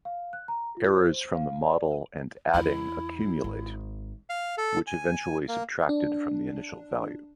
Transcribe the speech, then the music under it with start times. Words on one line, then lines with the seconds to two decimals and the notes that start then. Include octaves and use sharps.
Errors from the model and adding accumulate, which eventually subtracted from the initial value.
0.05 F5
0.33 F#6
0.48 A#5
0.77 F4
0.96 C5
1.35 F5
1.62 D5
2.54 E2 E4
3.44 G#1
4.30 F5
4.57 A4
4.87 G#5
5.48 A#3
5.89 D4